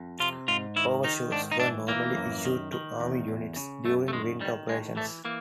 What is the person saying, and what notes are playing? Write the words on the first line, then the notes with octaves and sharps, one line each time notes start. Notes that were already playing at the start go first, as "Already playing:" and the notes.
Overshoes were normally issued to Army units during winter operations.
Already playing: F2
C3 F4
G#2 F4
D#3 E4
D#3 D#4
G#2 D4
D#4
E3 D4
E3 A#3
F#2
D#3
D#3
E2
E2
C#3
F#2 A3
A3
D#3 G#3
D#3 G3
A2 G#3
E3 A3
E3 A#3